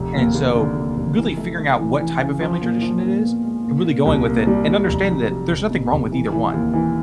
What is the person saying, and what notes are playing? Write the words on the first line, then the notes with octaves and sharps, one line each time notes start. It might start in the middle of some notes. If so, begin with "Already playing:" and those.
And so really figuring out what type of family tradition it is and really going with it and understanding that there's nothing wrong with either one,
Already playing: F1
D#2
D#2
D3
D#2
F1
E3
A3
A3
E3
E3
C#3
F3
A#2
F3
A#2
B3
G#3
A#2
A#2
C2
A#2
G3
G3
F1
F#3
F#3
F1
B2
F1
E3
E3
D#2
E3